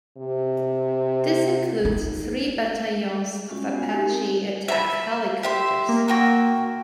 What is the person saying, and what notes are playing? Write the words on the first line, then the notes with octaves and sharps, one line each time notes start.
This includes three battalions of Apache attack helicopters.
C3
D#4
G#3 C#4 F4 F#4
B3
G#3 G#5
C4 D#4 G4
A#4
E5 B5
G4 E5 C6
A#3
F#4 G5 E6